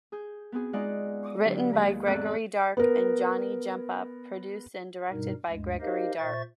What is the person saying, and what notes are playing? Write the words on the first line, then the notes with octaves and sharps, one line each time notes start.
Written by Gregory Dark and Johnny Jump-Up; produced and directed by Gregory Dark.
G#4 G6
B3 C4 F#4 G#4
G#3 D#4 F4 D5 F#5
D3 F#3 D4 G4 F5
D#2 G#3
E2 G#2 C4 A4 D5 F#6
B3 A#4
G2 B2 G3 D#4 A#4
D2 G2 G#3
D#4 G4 A#4 C5 D#5 F5
A#2 C5 E5 C#6 A6